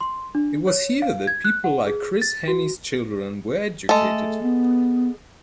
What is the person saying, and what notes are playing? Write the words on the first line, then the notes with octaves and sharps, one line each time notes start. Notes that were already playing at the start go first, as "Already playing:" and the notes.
It was here that people like Chris Hani's children were educated.
C6
D4
C#5
F5
G#6
F#6
F#5
G#4
A6
F#4
G#3 A3 A4
B3